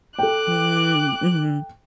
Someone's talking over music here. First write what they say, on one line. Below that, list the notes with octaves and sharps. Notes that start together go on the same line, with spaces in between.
Mm, mhm.
A4 G5 D6 F#6